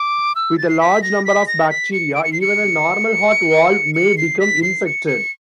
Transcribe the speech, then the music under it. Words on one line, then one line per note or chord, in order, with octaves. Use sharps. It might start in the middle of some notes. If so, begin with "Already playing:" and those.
With a large number of bacteria, even a normal heart valve may become infected.
Already playing: D6
E6
A6
C7
B6
A#6
B6
A#6
B6
C#7
D7
C#7
C7
C#7
C#7
C7
B6
C7
C#7
C#7